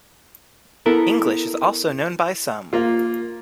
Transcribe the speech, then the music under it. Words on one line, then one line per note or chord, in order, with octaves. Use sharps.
English is also known by some.
B3 E4 A4 A#4
A#3 F4